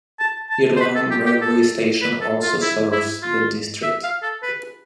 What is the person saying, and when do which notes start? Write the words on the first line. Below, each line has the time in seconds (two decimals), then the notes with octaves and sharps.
Irlam railway station also serves the district.
0.20 A5
0.50 A5
0.76 C5
0.80 B4
0.96 A4
1.11 G4
1.26 G4
1.41 A4
2.02 B4
2.21 A4
2.42 F4
2.62 E4
2.92 E4
3.22 F4
3.82 E5
4.03 F5
4.23 A4
4.43 B4